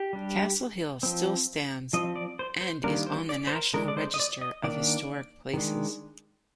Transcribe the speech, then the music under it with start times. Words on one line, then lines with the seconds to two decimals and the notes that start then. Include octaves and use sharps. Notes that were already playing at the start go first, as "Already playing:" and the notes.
Castle Hill still stands and is on the National Register of Historic Places.
Already playing: G4
0.13 G3 D4
1.03 F3 C4
1.93 F3 C4 D#5
2.16 D5
2.39 C5
2.61 C5
2.84 D#3 G3 A#3 D4 A#4
3.06 C5
3.29 D5
3.47 C5
3.52 A#4
3.74 D3 G#3 D4 A#4
3.88 D5
3.97 C5
4.14 D#5
4.20 D5
4.41 D#5
4.64 D#3 A#3 D4 D5
5.54 D#3 G#3 D4